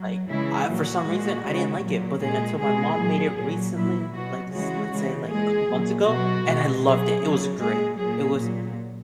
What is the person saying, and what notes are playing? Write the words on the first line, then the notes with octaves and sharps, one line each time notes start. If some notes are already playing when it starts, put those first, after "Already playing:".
Like, I for some reason, I didn't like it. But then until my mom made it recently, like, let's say, like, a couple months ago, and I loved it. It was great. It was
Already playing: F#3
C#3 E3 G#3 E4
A#2 F#3 F#4
A#2 G#3
C#3 G#3
A#2 F#3
A#2 G#3 G#4
B2 G#3 G#4
A#2 F#3
A#2 F#3
A#2 F#3 E4
B2 F#3 F#4
C#3 E3 G#3 F#4
C#3 E3 G#3
A#2 G#3 G#4
A#2 F#3
B2 F#3 F#4
B2 G#3
B2 F#3 G#4
C#3 F#3
A#2 G#3 G#4
A#2 F#3 G#4
A#2 F#3